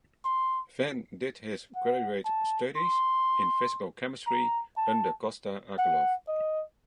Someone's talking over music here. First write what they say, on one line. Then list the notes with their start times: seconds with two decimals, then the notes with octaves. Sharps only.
Fenn did his graduate studies in physical chemistry under Gosta Akerlof.
0.25 C6
1.76 F#5
2.25 A5
2.76 C6
4.27 A#5
4.77 A5
5.78 F#5
6.28 D#5